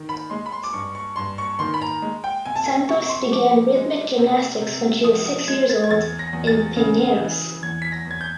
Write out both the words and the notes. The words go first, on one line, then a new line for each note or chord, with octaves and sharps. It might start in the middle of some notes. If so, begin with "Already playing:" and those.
Santos began rhythmic gymnastics when she was six years old in Pinheiros.
Already playing: D#3
B5
G#3 C6
B5
C6
D6
G2 C#6
C#6
G2 C6
C#6
D#3 C6
B5
A#5
G#3
G5
C3 G#5
A5
G#5
C3 C#6
C6
C#6
F3 D6
G#3
C3
C3
F3 D#6
D#6
G#3 G#6
A6
G#6
E2 A6
A#6
E2
A6
C#3
E3
E2 G#6
B6
A#6
E2
G#6
G6